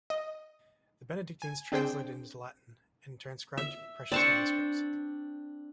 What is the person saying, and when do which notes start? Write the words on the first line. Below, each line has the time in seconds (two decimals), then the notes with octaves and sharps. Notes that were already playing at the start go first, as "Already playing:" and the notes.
The Benedictines translated into Latin and transcribed precious manuscripts.
0.10 D#5
1.42 G#5
1.72 C4 D4 G#4 C5 G5
3.58 E5
4.12 C4 D4 C5 D5 A5 C#6